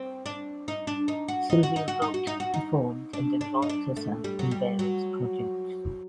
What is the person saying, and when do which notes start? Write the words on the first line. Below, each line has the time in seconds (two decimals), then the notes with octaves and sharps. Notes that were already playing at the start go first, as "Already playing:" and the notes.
Sylvia wrote, performed, and involved herself in various projects.
Already playing: C4
0.26 D4
0.68 D#4
0.87 D4
1.08 D#4
1.28 F#4
1.50 D#4
1.63 F#4
1.76 D#4
1.88 F#4
2.02 D#4
2.14 F#4
2.27 D#4
2.40 F#4
2.54 D#4
3.13 D4
3.41 D4
3.62 D#4
3.69 D4
3.97 A3
4.24 G3
4.39 F#3
4.51 G3
4.79 F#3